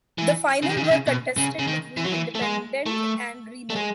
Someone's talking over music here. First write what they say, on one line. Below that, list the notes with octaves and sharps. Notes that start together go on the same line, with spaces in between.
The final were contested between Independente and Remo.
E3
C#3
D#3
C#3
D#3
C#3
B2
C#3
C#3
D#3
E3
F#3
E3
A3
G#3
A3
A3
G#3